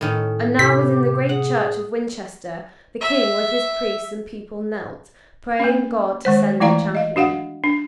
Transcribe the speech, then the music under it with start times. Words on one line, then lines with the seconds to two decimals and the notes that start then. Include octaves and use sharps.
And now within the great church of Winchester the King with his priests and people knelt, praying God to send a champion.
0.01 A2 D#3 C#4
0.59 C3 E4 G4 B6
1.29 G#4 F#5
3.01 E5
5.60 A#3 C#4
6.25 D#3 G#3 C5
6.60 E3 A3 E4 D5 F5 A#5
6.95 D#5 F5
7.16 D4 F#4 F5 F#5
7.64 D4